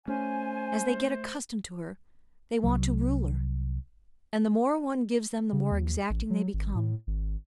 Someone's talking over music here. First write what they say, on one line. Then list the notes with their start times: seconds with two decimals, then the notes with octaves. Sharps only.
As they get accustomed to her, they want to rule her, and the more one gives them the more exacting they become.
0.08 A3 C#4 C5 G#5
2.64 C2 F#3
5.53 C#3
5.71 D#2
6.10 A1
6.30 F#3
6.54 G#1
6.75 A2
7.07 G#1